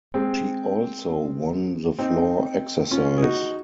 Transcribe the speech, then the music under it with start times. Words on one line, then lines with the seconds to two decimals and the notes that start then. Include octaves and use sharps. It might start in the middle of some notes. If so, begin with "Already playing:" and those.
She also won the floor exercise.
0.14 G#3 C4
1.99 C4 D#4
2.91 C#4 F4
3.18 G#4
3.22 D#4 F#4